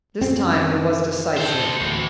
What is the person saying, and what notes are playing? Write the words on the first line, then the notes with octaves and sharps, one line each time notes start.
This time, it was decisive.
F#2 C4 C#4
A4 C5
D2 A2 E3